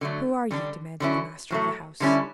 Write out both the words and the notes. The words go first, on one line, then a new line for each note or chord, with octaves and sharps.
"Who are you?" demanded the master of the house.
D3 F#3 A3
D3 G3 D4
D3 F#3 C#4 E4
A2 F#3 A3
D3 G3 C#4 E4